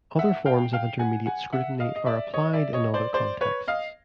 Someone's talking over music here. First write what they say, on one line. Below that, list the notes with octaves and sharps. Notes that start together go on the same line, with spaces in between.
Other forms of intermediate scrutiny are applied in other contexts.
E5 F#5
F5 G5
F5 G5
F#5 G#5
F#5 G#5
E5 F#5
D#5 F5
D#5
D5 E5
C#5 D#5
D5 E5
C#5 D#5
C5 D5
C5 D5
B4 C#5
D#5 F5